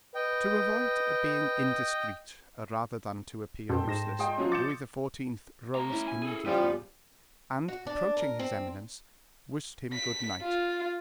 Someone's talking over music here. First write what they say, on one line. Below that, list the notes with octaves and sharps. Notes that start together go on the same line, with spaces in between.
To avoid being indiscreet, rather than to appear useless, Louis XIV. rose immediately, and approaching his eminence, wished him good-night.
B4 D#5 G5
F#2 B2 A4 C5 G5
G#2 A#6 E7
G#3 C5 D#5 G5
F3 F#3 C#4
D6 G6 A6 C#7 E7
A3 A#5
C#4 E4
G#5
G#4 A4
C#3 F3 G3 B3 F4 G4
F#4
D4
A#4
C4
B6
F4